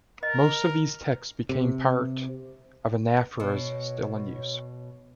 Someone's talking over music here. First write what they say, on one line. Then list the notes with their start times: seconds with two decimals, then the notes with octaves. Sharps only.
Most of these texts became parts of anaphoras still in use.
0.23 A#4 D#5
1.49 C3
3.40 B2 C#5